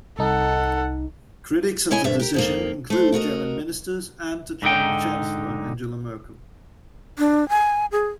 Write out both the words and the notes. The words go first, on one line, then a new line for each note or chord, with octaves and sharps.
Critics of the decision include German Ministers and the German Chancellor Angela Merkel.
C2 D#4 A4 F#5
C4 E4 C#5 D#5 G#5
D2 G2 D4 E5
G4 A#4
F2 D#3 A#3
A3 C5
E4 F#4 A#4 D#5
G#2 D3 D#4 G5
D4
G#5
G#4